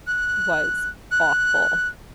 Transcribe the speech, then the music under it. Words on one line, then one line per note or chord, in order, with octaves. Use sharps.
was awful,"
F#6
F#6